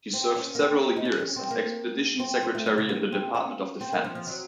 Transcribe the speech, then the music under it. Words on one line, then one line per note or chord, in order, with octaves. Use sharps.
He served several years as expedition secretary in the Department of Defense.
C4
C#4
A#3
C4
D#4
C#4
C#4
C4
A#3
C4
C4
A3
F#3
C#3
A#3
C4
C#4
C4
A#3
F3
F3
F#3